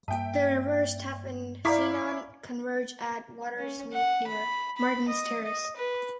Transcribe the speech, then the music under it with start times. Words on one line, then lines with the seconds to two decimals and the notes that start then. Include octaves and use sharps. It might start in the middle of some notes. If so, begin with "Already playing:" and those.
The rivers Taff and Cynon converge at Watersmeet near Martin's Terrace.
0.08 G2 A#3 E5 G5 A5
1.65 E4 D5 F5 A#5 C#6 D6 B6
3.59 C#4
3.94 F#5
4.27 B5
4.77 B5
5.08 D#5
5.44 D#5
5.76 B4